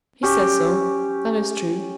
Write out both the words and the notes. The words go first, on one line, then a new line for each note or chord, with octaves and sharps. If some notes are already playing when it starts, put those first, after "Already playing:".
"He says so, that is true."
C#4 G4